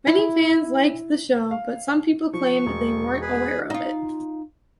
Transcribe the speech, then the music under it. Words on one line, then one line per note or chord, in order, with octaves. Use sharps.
Many fans liked the show, but some people claimed they weren't aware of it.
E4
F5
F3 C#6
E1
G#4 B4
D#4 F4